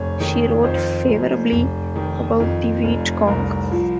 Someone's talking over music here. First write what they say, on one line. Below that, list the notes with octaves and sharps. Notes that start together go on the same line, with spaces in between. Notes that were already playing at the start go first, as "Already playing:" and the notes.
She wrote favorably about the Viet Cong.
Already playing: F1 C#5
D#3
F2 C5
F1
F1
D#3
F2
F1
C2 A#4
F3